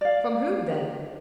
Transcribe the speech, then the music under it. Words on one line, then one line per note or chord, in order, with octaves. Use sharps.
"From whom, then?"
D5 F5